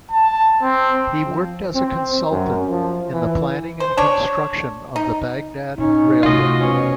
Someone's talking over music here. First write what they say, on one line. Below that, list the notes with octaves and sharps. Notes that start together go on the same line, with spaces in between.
He worked as a consultant in the planning and construction of the Baghdad Railway.
A5
C4
F3
C4
F#2
F3
E3
C5
D4 C#5
D#4
A2 C#4 D#4
C3 A3 F4 F#4 D#5
F2 B2 C#4